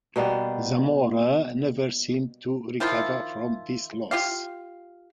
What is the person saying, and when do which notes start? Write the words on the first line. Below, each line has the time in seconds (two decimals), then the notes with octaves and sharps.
Zamora never seemed to recover from this loss.
0.16 B2 G3 A#3 B3
2.80 D#3 F3 E4 F4
4.11 F4 G4 F5